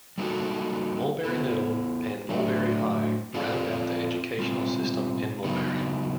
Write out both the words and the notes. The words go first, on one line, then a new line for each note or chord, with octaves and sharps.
Mulberry Middle and Mulberry High round out the educational system in Mulberry.
G3 A#3 D#4 F#4 A4
B3 E4 A4
A2 F#3 A3 D4
C4 F4 A4 D5 F5
B2 G3 C4 F4
C#3 F#3 B3 D#4